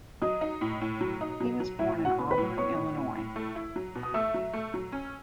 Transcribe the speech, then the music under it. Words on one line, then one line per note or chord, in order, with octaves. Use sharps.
He was born in Auburn, Illinois.
F#3 D#5 D#6
D#4
A2
A2
F#3
D#4
F#3
F#3
A2 E4 E5
A2
F#4 F#5
B3
B4 B5
A2
B3 C#5 C#6
A2
A2
A2
A3
E4
F#3
B2
D#6
A3 E5 E6
F#3
A3
F#3
C#4